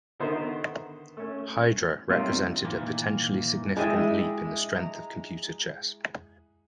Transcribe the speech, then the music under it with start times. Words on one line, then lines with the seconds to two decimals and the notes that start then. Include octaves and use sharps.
Hydra represented a potentially significant leap in the strength of computer chess.
0.20 D3 D#3 B3 D#4 C5 E5
1.17 A3 C#4
2.10 C3 F#3 G3 D#4 F4
2.65 A#2 D#3 E3 A#3
3.77 G#3 D4 E4 G#4 E5 G5
4.74 A#5